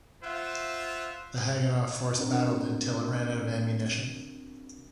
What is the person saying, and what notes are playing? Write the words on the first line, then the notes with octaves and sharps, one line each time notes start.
The Haganah force battled until it ran out of ammunition.
F4 C5 E5 F#5
C4 D4 F#4 A#4